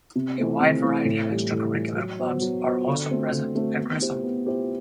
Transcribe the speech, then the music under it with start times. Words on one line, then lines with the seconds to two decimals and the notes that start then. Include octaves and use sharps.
A wide variety of extracurricular clubs are also present at Grissom.
0.16 C3
0.38 E3 A3 C4
0.60 C3
0.83 E3 A3 C4
1.05 A2
1.29 E3 G3
1.51 A2
1.74 E3 G3
1.96 F#3
2.19 B3 F#4 C5
2.42 F#3
2.64 B3 F#4 C5
2.88 D3
3.10 A3 C4 F#4
3.32 D3
3.55 A3 C4 F#4
3.78 B3
4.01 E4 G4 C5
4.23 B3
4.46 E4 G4 C5